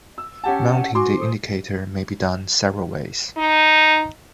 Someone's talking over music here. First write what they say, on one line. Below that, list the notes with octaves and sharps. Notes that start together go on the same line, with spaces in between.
Mounting the indicator may be done several ways.
E6
C#4 G4 F#5 A5
F#4 G#5 C6 D6
A4 C5 D#6
D#4